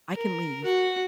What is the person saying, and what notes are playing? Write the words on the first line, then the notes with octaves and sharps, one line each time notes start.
"I can leave."
A#4
F#4 F#5